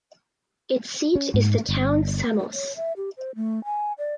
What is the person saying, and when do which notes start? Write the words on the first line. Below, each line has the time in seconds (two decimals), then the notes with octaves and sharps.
Its seat is the town Samos.
1.15 C#4
1.34 G#2
1.69 G1
2.54 C#5
2.76 E5
2.97 G4
3.18 C5
3.35 A3
3.65 G#5
3.98 D5